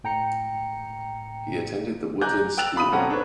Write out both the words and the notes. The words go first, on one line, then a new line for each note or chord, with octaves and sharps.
He attended the Woodlands school.
A2 G5 A#5 C#7
G#5 A#5 D6 F#6 G6
G5 E6 F#6 A6 F7
F5 B5 D#6 D#7
B1 C4 C#4 A4 F#5 A#5
D4 A4 B4 C#5